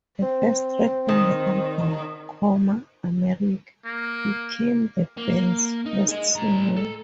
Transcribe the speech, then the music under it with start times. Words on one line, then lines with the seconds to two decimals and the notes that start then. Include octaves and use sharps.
The first track on the album, "Coma America," became the band's first single.
0.22 C4
1.09 D#3
3.86 A#3
5.17 A#3
5.86 D#4
6.09 G#4 D#5
6.36 A2 A#5
6.77 A4